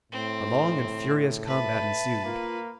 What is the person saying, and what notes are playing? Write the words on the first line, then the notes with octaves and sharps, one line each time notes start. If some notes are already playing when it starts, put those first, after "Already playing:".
A long and furious combat ensued.
A2 C4
B4 E5 A5
A#3 F4